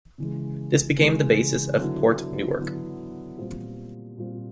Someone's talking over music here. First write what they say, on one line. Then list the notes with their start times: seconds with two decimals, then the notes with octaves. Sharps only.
This became the basis of Port Newark.
0.18 C#3 E3 G#3
0.98 C#3 E3 G#3
1.78 D3 F#3 B3 E4
2.58 D3 F#3 B3 E4
3.38 A#2 G3 C4 F4
4.18 A#2 G3 C4 F4